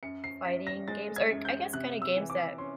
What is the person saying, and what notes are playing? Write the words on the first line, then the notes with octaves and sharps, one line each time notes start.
fighting games or I guess kinda games that
F#2 C#7
C7
F#2 B6
A#6
G#3 A6
G#6
F#2
G6
C3 F#6
E6
E3
D6
C#4 C6